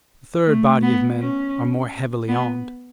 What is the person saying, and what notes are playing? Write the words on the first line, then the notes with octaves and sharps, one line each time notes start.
The third body of men are more heavily armed.
A3
B3
C#4
B3